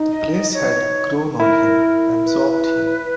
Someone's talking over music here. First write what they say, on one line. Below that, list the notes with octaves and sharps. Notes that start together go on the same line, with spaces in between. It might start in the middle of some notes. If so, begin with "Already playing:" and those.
The place had grown on him, absorbed him.
Already playing: D#4
D#5
D#5
C#5
E4 A#4
B4